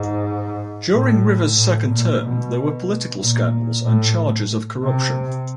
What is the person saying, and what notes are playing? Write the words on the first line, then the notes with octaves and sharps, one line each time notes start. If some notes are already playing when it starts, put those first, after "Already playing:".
During Rivers' second term, there were political scandals and charges of corruption.
Already playing: G#2
A2
A2
A#2
B2
A#2
A2
C3